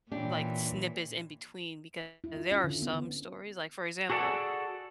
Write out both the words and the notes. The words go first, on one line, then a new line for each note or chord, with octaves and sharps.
like snippets in between; because there are some stories like, for example,
A#2 E3 C#4 D4 G4
E4
F4
C#4
D3
B3
F#4 G#4 A4 B4 D5 F#5